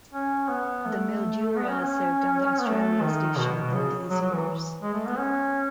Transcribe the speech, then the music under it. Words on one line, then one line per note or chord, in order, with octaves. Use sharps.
The "Mildura" served on the Australia Station in these years.
C#4
B3
A3
B3
C#4
C#4
B3
A3
D#3
B2
B2
C#3
F#3
F#3
E3
G#3
A3
B3
C#4